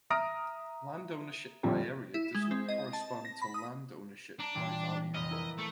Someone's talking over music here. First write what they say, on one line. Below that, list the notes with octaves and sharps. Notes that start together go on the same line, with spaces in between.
Land ownership by area does not correspond to land ownership by value.
E5 A#5 D#6 F6 A#6 D7
A#1 F2 D3 F3 G3
E4
G#3
C4
D#5
A5
A#6
B5
D#6
D4 A#5
A#2 E3 G3
F1 B4 D#5 F6
E4 A#4 B4
A3